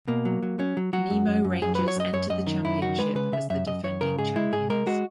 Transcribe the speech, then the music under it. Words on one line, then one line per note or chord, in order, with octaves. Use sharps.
Nemo Rangers entered the championship as the defending champions.
B2 A#3
F#3
F#3
F#3 C#4
F#3
F#3 F#4
F#2
F#2
F#2
F#2 G#4
F#3 B4
C#5
F#2 D#5
F#2 C#5
F#2 D#5
D#3
F#2 E4
D#3 F#4
G#3 B4
C#3 B4
C#3 E5
F#2 E5
F#2 D#5
F#2 C#5
C#3 A#4
G#2 G#4
G#3 E4
G#2 G#4
G#3 A#4
G#3 F#4